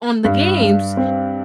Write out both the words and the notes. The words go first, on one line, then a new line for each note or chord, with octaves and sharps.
on the games
G2
G2
C4